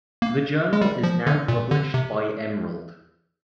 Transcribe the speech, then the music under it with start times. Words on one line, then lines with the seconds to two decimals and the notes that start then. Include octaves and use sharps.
The journal is now published by Emerald.
0.22 A#3
0.73 G#3
0.82 G3
1.03 F3
1.27 D3
1.48 A#2
1.71 D3
1.94 C3